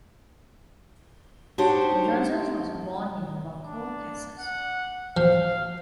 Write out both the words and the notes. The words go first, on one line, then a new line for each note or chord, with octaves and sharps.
Johnson was born in Waco, Texas.
D4 D#4 F#4 G4 C5 C#5
D4
F#5
F3 F5